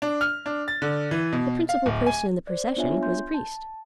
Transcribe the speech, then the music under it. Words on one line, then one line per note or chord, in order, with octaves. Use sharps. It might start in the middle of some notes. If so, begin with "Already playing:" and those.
The principal person in the procession was a priest.
D4
F6
D4
A6
D3
E3
B2
F5
D1
G#5
C5 D5
B3 D4 F4 C#5 E5 G#5
C6 G6
A5